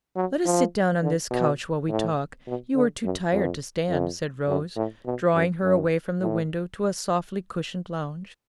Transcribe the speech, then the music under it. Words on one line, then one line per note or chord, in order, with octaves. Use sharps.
"Let us sit down on this couch while we talk; you are too tired to stand," said Rose, drawing her away from the window to a softly-cushioned lounge.
F#3
F3
D3
B2
A2
B2
D3
F#2
F2
F2
F#2
A2
B2
F#2
F#2
A2